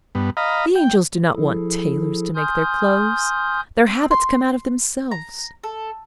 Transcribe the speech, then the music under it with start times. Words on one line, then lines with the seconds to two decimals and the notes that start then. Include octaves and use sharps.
The angels do not want tailors to make their clothes: their habits come out of themselves.
0.15 G2 B3
0.37 D#5 F5 A#5 B5
0.75 G5
1.34 F3 E4 G#4 A4
2.35 G#5 C6 D#6 F6 G6
3.86 C4
4.11 C6
5.11 A#5
5.64 A4